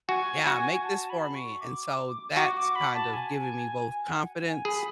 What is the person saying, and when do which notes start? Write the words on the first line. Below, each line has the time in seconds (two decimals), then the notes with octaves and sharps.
Yeah, "Make this for me," and so that's kind of giving me both confidence
0.09 F#4 G#5
0.46 F#4
0.84 A5
1.10 B5
1.35 C#6
1.61 D6
2.37 F#4 D6
2.56 D6
2.75 B5
2.94 A5
3.13 G#5
3.38 G#5
3.64 G#5
3.90 G#5
4.09 F#5
4.46 G#5
4.65 G#4 B5